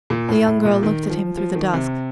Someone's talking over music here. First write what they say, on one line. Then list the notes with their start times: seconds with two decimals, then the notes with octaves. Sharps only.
The young girl looked at him through the dusk.
0.10 A#2
0.29 A2
0.47 A2
0.65 A#2
0.83 D#3
1.10 F3
1.37 F3
1.55 D#3
1.73 C3